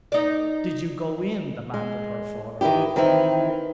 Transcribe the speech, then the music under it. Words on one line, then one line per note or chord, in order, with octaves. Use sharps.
"Did you go in?" demanded her father.
D#4 D5
G#3
D#3 E3 F#3 E4 G4
D#3 E3 C4 D#4 E4